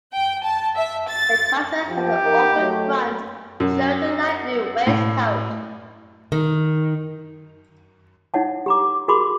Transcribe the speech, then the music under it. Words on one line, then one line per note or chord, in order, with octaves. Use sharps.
The kaftan had an open front, showing a light blue waistcoat.
G5
A5
E5
A6
F3 G4
D#4 A#4
F#3 A3
F#2
A2
D#3
D#4 E4 C#5 F#5 A5
G4 A#5 D6
F#4 G#4 A#4 B5 C6 D6